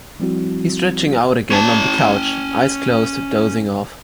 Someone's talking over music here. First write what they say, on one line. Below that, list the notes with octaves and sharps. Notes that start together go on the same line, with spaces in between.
He’s stretching out again on the couch, eyes closed, dozing off.
F3 G3 C4 E4 F#4
C#4 A5